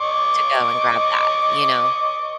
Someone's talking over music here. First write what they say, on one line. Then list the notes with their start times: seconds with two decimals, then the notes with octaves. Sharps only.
To go and grab that, you know?
0.01 D#5 C#6 D6